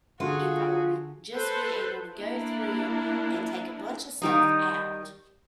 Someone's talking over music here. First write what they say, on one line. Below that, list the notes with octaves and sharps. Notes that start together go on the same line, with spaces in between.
if I were just be able to go through and take a bunch of stuff out,
D3 F4 F#4 G#4 A4
A4 B4 C5
A#3 D4 E4
D#3 G3 D#4